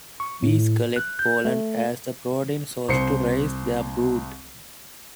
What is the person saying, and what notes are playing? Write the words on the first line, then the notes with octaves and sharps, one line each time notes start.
Bees collect pollen as a protein source to raise their brood.
C#6
A2
F#6
G6
A3
C2 C5 C7 C#7